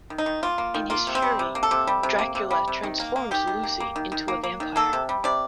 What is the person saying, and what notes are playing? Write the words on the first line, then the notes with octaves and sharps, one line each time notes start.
In his fury, Dracula transforms Lucy into a vampire.
D#3
D#4
D#3
A#3 F4
A#3
D#3
A#3 F4
C3
C4
G3
C3
A#3
A4
C3
G3
C3
A#3
C3
G3
C3
D#3
A#3
A#3
D#3 G4
D#3
A#3
A#3
D#3
D#3
A#3
A#3
D#3
A#3 A4
C3
G3
C3 D5